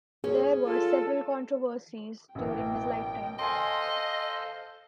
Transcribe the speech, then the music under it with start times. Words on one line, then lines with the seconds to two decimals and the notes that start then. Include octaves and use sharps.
There were several controversies during his lifetime.
0.24 C#4 G#4
0.66 F4 A4
2.35 A1 F#2 B2 E3 G5
3.39 A4 C5 D#5 F5 G#5 A5 C6